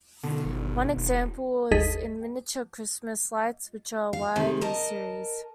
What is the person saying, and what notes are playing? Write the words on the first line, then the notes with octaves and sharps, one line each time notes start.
One example is in miniature Christmas lights which are wired in series.
B2 D3 D#3
G1
E1
G1 D#2 G#4 A4 D#5 B6
F5
C3 D#3 G#3
A#4 D#5 A5